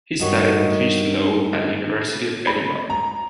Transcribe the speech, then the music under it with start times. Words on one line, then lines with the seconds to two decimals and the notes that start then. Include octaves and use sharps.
He studied and finished law at University of Edinburgh.
0.20 G2 D#3 D#4 F#4 A#4 C#5
2.47 B5
2.90 A#5